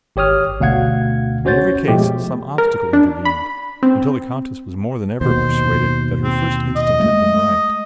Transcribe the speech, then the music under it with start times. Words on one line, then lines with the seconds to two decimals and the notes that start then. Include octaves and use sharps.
In every case some obstacle intervened, until the Countess was more than ever persuaded that her first instinct had been right.
0.16 G#1 G4 C#5 D#6 F6
0.61 D2 B2 F5 F#5 G#6
1.45 C#4 F#4 C5 C#5 G6 A6
1.87 B2 F3 G#3 A3 G4
2.58 A#4
2.93 D4
3.25 B5
3.83 C4
5.21 D#2 B2 C5
6.24 C4
6.76 D#5
7.00 G#3 A3